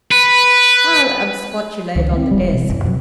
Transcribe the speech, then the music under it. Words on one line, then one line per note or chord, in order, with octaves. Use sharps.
I'll absquatulate on the desk.
B4
C#2 D#3
A3 C4
E1 G3
B2 E3
F#1 E2
F2 B2 D3 F#3